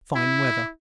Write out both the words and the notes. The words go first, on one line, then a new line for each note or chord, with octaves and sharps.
Fine weather.
E4